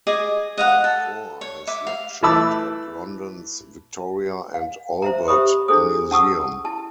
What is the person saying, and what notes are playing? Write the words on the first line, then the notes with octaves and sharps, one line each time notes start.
Balfour has lectured at London's Victoria and Albert Museum.
G#4 D#5 G#5 D6
D#5 F5 F#5
A4
C#5
E5 D6
F5
E3 A3 A5 B5 D6 E6
F5
C5 E5 A#5
G4 C5 E5 B5 C#6 D#6
D4 E4 G#4 A4 C5 D#6
C#4 F#5 A5 C#6 D#6 E6
E4 A5